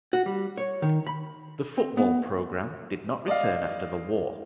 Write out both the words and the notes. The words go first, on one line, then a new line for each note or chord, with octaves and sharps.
The football program did not return after the war.
F#4
G3
C#5
D#3
B5
C4
B3
D5 D#5 F5